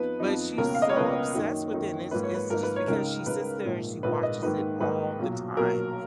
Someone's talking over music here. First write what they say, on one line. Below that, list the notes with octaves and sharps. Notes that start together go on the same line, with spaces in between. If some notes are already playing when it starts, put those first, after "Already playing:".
But she's so obsessed with it and it's it's just because she sits there and she watches it all the time.
Already playing: F2 F3 B3 D#4 B4
F2 F3 B3 D#4
C#2 B2 A#3 C#4 A#4
F5
D#5
C#5
C#2 B2 A#3 C#4 B4
F#2 D#3 A#3 D#4
F#2 D#3 A#3 D#4
G#2 F3 A#3 D#4 B4
C#5
B4
G#2 F3 A#3 D#4 A#4
B4
C#5
C#2 C#3 G#3 D#4 A#4
C#2 C#3 G#3 D#4 B4
A#1 G#2 F3 A#3
A#1 G#2 F3 A#3 B4
D#5
G#2 D#3 A#3 D#4 B4
G#2 D#3 A#3 D#4 B4
B1 A#2 F#3
B1 A#2 F#3 A#4